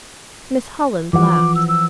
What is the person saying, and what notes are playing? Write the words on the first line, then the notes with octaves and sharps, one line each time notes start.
Miss Holland laughed.
E3 F3 F#5 D6
E6
E6